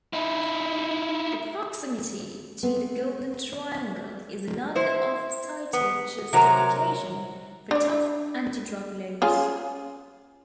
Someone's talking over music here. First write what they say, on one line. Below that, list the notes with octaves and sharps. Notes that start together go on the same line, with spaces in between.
The proximity to the Golden Triangle is another oft-cited justification for tough anti-drug laws.
D#4 E4
B3 C4
E4 C5
B3
C3 F#3 A#4 C#5 A#5
D4 D5
C#4 F4 G#4